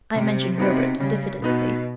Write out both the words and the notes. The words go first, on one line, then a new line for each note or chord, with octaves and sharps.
I mentioned Herbert diffidently.
C3 G3
C3 B3 D#4 F#4 B4
C#3 G3
B2 B3 D#4 F#4 B4